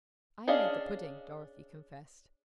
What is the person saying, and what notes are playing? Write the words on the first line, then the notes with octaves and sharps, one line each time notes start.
"I made the pudding," Dorothy confessed.
C#4 D4 G#4 D#5 F5